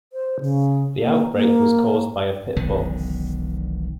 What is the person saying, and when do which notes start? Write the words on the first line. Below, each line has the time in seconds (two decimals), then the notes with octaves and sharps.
The outbreak was caused by a pit bull.
0.13 C5
0.40 C#3
1.00 A#3
1.34 A#3
2.56 E1 B1 D3 D#3